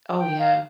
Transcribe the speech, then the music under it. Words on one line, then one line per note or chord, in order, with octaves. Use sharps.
Oh yeah.
G5
F5